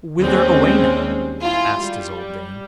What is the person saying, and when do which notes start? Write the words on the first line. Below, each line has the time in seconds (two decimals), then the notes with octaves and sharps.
'Whither away, now?' asked his old dame.
0.18 D#2 G3 G#3 C4 C#4
1.40 E4 F4 G#4
1.78 G3